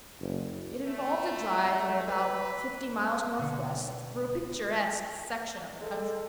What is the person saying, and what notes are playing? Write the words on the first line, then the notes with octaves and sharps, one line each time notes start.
It involved a drive of about fifty miles northwest, through a picturesque section of the country.
F#1
A3
B4
B2 D3 C#6
G#3 A4